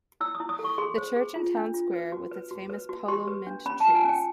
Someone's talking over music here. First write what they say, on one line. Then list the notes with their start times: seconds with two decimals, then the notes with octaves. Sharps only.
The church and town square, with its famous "polo mint trees".
0.20 E4 E6
0.35 D#6
0.40 E4
0.49 D#6
0.59 A4
0.64 C#6
0.78 G#4 C6
0.97 C5
1.16 G#4
1.36 F4
1.55 D4
1.74 F4
1.94 B4
2.12 F#4
2.32 B4
2.51 F#4
2.70 B4
2.89 F#4
3.08 G4 C6
3.27 B4
3.47 D4
3.66 C#4 B5
3.80 A5
3.85 F4
3.95 G#5
4.05 C#4 G5